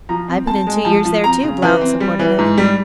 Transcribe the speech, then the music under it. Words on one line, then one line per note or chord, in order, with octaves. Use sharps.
"I put in two years there, too," Blount supported him.
F3 A#5
C4
C4 A5
G#3
F3 A5
F3
C4 A#5
C#3
E3
C4
G3
E3
G#2
G3